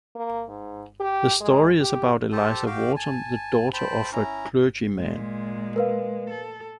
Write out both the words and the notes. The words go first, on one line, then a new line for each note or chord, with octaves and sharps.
The story is about Eliza Wharton, the daughter of a clergyman.
A#3
G#2
G4
G#3
G4
G4 A4 C5 A5
F#4 G4 F5 G5
G#5 A5
C5 G5 A5 B5
C#4 E4 A#5
A#2 G#3
A#4 B4 F5
A4